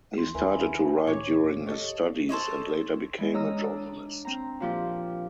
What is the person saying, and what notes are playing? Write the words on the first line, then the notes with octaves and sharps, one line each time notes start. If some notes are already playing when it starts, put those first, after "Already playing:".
He started to write during his studies, and later became a journalist.
D#2 E3 C6
D#2 A#4 B4 E5 G#5 B5
C#2 A2 C#5 D6 G#6
G4 A4 C#5 D#5
A4 C5 C#5 D#5
E3 G#3
C#5 D#5 A#5 E6 F6
D4 E6
C4 A#5
A#2 F3 G4